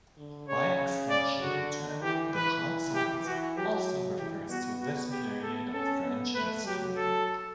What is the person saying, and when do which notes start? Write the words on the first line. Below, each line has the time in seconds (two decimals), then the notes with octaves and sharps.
By extension, the term "The Consulate" also refers to this period of French history.
0.17 D3
0.48 C#3 C#5
1.10 D5
1.41 D3 F#4
2.03 E3 G4
2.34 E3 B4
2.95 G4
3.26 E3 F#4
3.57 F#3 G4
4.19 E3 G4
4.50 B3 F#4
4.81 F#4
5.12 G4
5.43 B3 A4
5.73 C#4 A4
6.04 B3
6.35 A3 B4
6.66 F#3 G4
6.97 A4